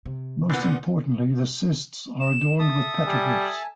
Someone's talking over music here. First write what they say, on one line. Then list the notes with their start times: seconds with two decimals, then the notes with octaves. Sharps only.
Most importantly, the cists are adorned with petroglyphs.
0.05 C3
0.50 A#2 E3 B3 C4 D4
2.20 E7
2.59 A4 E5 D#6
3.07 G3 G#5 A5